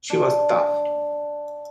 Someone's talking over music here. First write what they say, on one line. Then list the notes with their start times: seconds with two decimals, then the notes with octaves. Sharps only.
She was tough.
0.10 D4 F5